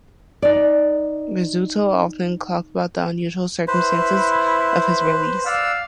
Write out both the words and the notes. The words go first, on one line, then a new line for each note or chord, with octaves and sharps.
Rizzuto often talked about the unusual circumstances of his release.
D#4 D5
E4 B4 C5
D5 F5 F#5 E6